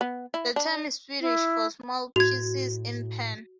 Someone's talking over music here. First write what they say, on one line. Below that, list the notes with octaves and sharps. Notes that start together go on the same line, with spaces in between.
The term is Swedish for "small pieces in pan".
B3
E4
D4
E4
A2 F#4 G#6 F7